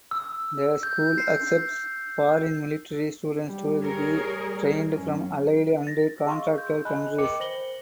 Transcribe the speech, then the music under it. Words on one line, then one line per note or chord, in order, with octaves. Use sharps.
The school accepts foreign military students to be trained from allied and contracted countries.
E6
G6
C7
G3
G#4 A#4 C#5
F#2 C#4
A6 A#6
G#4 D#5 F5 C6 C#6 E6
G6
D#5 G#5 A5 B5 F#6
A#4 D#5 G5 B5 D6 C#7
C5 A#6 F#7 G7